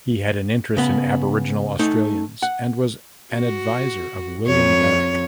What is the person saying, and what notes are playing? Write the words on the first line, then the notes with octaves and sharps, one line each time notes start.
He had an interest in Aboriginal Australians and was an adviser of William Barak.
C#3 B3
A3 D#4
F#5
F#4
F2 C#5